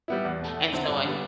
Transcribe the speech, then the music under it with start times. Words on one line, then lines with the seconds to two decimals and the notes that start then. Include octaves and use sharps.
And so I
0.08 G3 B3 E4
0.25 E2
0.41 B2 A3
0.56 E2
0.72 D3 F#3 C4 E4
0.89 G2
1.05 D3 G3 B3